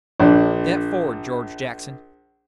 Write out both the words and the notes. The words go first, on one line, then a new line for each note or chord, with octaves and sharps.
Step forward, George Jackson.
A#1 D4